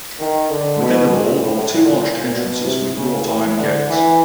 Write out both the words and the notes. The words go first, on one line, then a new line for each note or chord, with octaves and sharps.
Within the wall are two arched entrances with wrought iron gates.
D#3
D3
B2
A#2
A2
A#2
A#2
B2
C3
C#3
E3
D3
E3